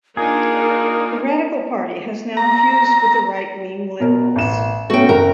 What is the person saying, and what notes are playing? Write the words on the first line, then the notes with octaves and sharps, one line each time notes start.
The Radical Party has now fused with the right-wing Liberals.
A#3 D4 D#4 F4 G#4 A#4
A#5
B2 A#4
A1 E7
A3 B3 C#4 F#4 G5
F#1 A#4